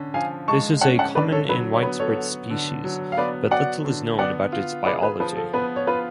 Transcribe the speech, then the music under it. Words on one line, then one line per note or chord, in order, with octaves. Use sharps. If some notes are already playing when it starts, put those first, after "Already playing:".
This is a common and widespread species, but little is known about its biology.
Already playing: D3 C#4
F3 F5 G#5
G#3 A5 C#6
C#4 F#5 A5
F#5 A5
D3 B4 D5
A4 C#5
F#3 B4
C#5
B3 B4
A4 C#5
F#4
D3
F#3
F5
B3 B4 D5
F#4 D5 F#5
D3
B3 D5 F#5
F4
G#4 B4 D5
B4
F3 B4
A4
B3 B4
C#5
F4 B4